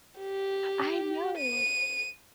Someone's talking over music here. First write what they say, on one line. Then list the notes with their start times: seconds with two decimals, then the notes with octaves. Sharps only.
I know!
0.19 G4
1.37 D#7